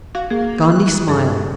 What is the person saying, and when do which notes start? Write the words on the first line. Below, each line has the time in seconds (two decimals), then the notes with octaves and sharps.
Gondy smiled.
0.15 F#4 F5
0.30 A#3 G#4
0.72 F#6
1.08 G2 G#4 A4